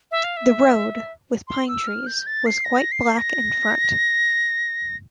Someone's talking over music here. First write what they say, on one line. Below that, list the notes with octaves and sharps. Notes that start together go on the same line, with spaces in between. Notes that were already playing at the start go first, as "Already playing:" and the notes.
The road, with pine trees, was quite black in front.
E5
F5
E5
C6
E6
F6
G6
A6
C7
A#6
C7
A#6